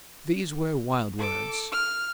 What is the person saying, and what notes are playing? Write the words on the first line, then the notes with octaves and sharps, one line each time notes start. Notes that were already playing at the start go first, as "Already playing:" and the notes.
These were wild words.
A4 D6
F6